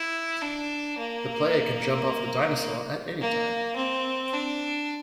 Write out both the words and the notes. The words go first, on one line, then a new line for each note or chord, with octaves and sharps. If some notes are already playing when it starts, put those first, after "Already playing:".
The player can jump off of the dinosaur at any time.
Already playing: E4
D4
A#3
A#3
C4
D4